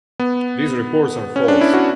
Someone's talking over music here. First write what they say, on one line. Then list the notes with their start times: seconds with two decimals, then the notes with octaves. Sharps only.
These reports are false.
0.19 B3
1.36 C#4
1.48 D4
1.61 E4
1.74 F#4